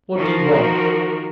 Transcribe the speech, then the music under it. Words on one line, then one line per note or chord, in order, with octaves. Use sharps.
What do you want?
D#3 F3 F#4 A#4